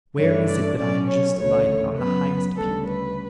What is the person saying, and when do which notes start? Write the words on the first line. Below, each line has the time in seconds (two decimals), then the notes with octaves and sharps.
Where is it that I have just alighted?--on the highest peak?
0.18 G2 E3 A3 D4 C#5
0.47 D5
0.77 B2 F#3 C#4 D5
1.07 C#5
1.37 D2 C#3 E3 A3 C#5
1.97 F#2 C#3 F#3 B3 B4
2.56 D2 C#3 G3 A4
2.86 B4